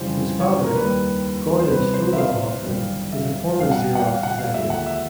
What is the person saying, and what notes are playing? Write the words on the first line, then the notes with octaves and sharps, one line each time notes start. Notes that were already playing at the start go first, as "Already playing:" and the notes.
His father, Gordon Stowell Hoffman, is a former Xerox executive.
Already playing: F2 C#3 E3 G3 C5
C#5
A#4
D#2 D#3 G3 B4
C5
C2 C3 E3 B4
C5
E5
F5
G1 F#2 D#3 G3
E5
E2 B2 G3 F5
F#5
G5
F#5
F5
F#5
F5
D#2 D3 F3 G#3 E5
F#5
E5